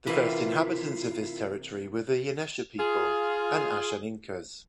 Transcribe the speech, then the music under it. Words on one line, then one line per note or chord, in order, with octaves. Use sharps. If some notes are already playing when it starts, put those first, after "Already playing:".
The first inhabitants of this territory were the Yanesha' people and Ashaninkas.
C3 E3 A#3 E4 F4
F4 G#4